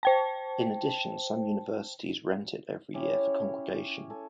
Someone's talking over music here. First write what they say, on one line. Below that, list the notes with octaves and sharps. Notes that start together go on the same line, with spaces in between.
In addition, some universities rent it every year for congregation.
C5 G5 A5
C#4 E4 G4
C#5
A4 G#5